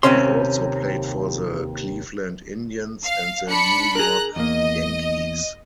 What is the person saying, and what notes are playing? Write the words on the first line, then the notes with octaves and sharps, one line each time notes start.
He also played for the Cleveland Indians and the New York Yankees.
D#2 C3 C4 C#4 C6
F5
D4 B5 C#7
G#4 A#4 A#5 F#6
E2 A#3 D#5